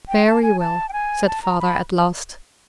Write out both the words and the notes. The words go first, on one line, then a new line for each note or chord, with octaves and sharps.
"Very well," said Father, at last.
G5
A5
G#5
A5
G5
G#5
A5
A#5
B5